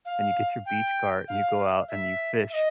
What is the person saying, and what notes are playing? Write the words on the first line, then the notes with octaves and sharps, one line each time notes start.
and you get your beach cart and you go out and you fish
F5
G5
F5
E5
E5
D#5